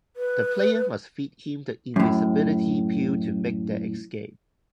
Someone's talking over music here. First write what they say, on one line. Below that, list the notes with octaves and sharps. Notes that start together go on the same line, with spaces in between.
The player must feed him the invisibility pill to make their escape.
B4
F#2 A2